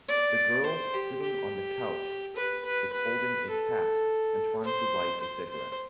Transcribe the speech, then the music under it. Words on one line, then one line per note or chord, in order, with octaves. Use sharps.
The girls sitting on the couch is holding a cat and trying to light a cigarette.
D5
C5
G4
G4
B4
B4
B4
A4
C5
C5
C5